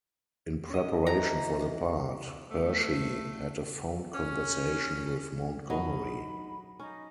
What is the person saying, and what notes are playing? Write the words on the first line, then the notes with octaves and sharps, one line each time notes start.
In preparation for the part, Hershey had a phone conversation with Montgomery.
C#4 D#5
E3 A#5
A3
C#4
F#3 D#4 C#5 D#5 B5
C#4 D#4